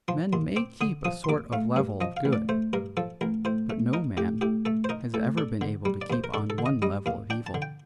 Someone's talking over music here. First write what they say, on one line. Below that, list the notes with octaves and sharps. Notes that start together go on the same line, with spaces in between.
Men may keep a sort of level of good, but no man has ever been able to keep on one level of evil.
F3 C6
D#2 C6
C4 D6
D3 D#6
F3 D#6
C6
D#2 D6
A3 F5
G2
F3 D#5
F5
A1
D5
A3 C5
G2 A#4
F3 A4
A1 A#4
A2 C5
A3
D#4 A#4
A2 G4
A2 G4
A3 A4
C5
D#4 A#4
A2 A4
D4 A4
D3
G3
D5
D#2 C5
A#4
D4 A4
A4
D3
D#5
G3 D#5
D#2 F5
D4 G5
A5
D3
G5